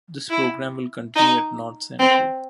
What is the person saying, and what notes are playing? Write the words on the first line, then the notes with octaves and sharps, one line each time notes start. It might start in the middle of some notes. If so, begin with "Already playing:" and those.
This program will continue at North Central.
E4
D#4
C4